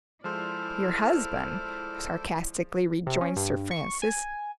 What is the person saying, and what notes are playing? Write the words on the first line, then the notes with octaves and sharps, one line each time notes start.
"Your husband!" sarcastically rejoined Sir Francis.
F3 G#3 E4 A4 C5 D5 C6 F6
C3
C#4
G2
C#6
G#5